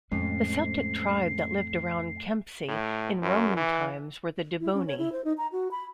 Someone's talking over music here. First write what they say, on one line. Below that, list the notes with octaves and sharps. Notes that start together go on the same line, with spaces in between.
The Celtic tribe that lived around Kempsey in Roman times were the Dobunni.
F2 A2 G#3 C#4 C7
A2
F#2
E3
E4
C#4
C#5
E4
C5
D#4
A#5
F#4
B5